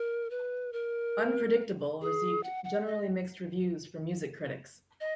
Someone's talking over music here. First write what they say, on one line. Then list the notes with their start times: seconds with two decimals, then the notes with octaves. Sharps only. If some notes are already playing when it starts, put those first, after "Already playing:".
"Unpredictable" received generally mixed reviews from music critics.
Already playing: A#4
0.30 B4
0.73 A#4
2.01 G#4
2.43 F#5
2.64 F#5
2.86 D#5
5.00 D#5